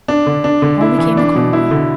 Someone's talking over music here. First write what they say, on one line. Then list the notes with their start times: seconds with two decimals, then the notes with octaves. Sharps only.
Home we came accordingly.
0.08 D4
0.26 D3
0.44 D4
0.62 D3
0.81 E4
0.99 E3
1.17 D4
1.35 B2
1.53 E4
1.71 D3